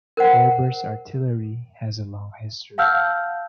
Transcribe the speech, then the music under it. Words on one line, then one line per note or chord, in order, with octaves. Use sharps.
Air burst artillery has a long history.
A#4 C5 F#5
F5 F#5 A5 E6 F6 G6